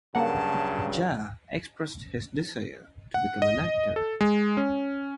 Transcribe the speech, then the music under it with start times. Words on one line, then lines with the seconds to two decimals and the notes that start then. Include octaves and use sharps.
Jha expressed his desire to become an actor.
0.15 G2 C#3 F#3 A#3 F#5 A5
3.14 F#5
3.42 D#5
3.96 A4
4.21 G#3
4.57 C#4